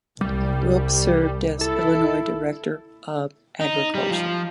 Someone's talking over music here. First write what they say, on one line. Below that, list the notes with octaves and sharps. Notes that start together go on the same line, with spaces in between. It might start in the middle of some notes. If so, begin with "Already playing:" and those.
Ropp served as Illinois Director of Agriculture.
C2 G3
E4 A4
D#4
G3
F3